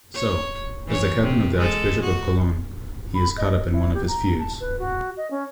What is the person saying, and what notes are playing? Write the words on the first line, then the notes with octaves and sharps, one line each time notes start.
So, as the captain of the Archbishop of Cologne, he is caught up in one of his feuds.
C#5
E3 C#5
C3
G#3 A4
F#4
B5
D#5
E4
G4
A#5
A5
B4
F#4
D#5
C#4